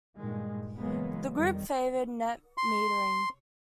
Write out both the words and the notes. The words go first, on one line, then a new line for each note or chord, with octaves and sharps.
The group favored net metering.
G2 A#2 D#3 G#3
C#3 E3 F#3 G#3 A#3 B3
F2 D#3 G3
C6